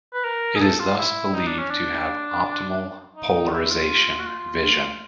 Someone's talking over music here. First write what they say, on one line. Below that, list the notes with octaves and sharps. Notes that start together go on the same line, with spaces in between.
It is thus believed to have optimal polarization vision.
B4
A#4
G#4
A4
F4
E4
D#4
D4
C#4
D4
D#4
E4
F4
F#4
F4